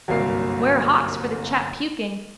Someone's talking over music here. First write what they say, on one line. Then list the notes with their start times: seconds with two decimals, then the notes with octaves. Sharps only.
Ware hawks for the chap puking.
0.08 G1 C2 F#2 A#3 C7